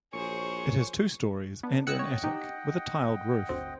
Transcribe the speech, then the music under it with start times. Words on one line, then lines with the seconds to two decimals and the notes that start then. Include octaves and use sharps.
It has two storeys and an attic, with a tiled roof.
0.13 A#1 F#4 G#4 A#4 C5 C#5 C#6
1.63 B3 D4
1.87 D#5 F#5 G5 E6 F#6 C#7
1.99 C#5
2.24 D#4 G4
3.49 G1 D2 C4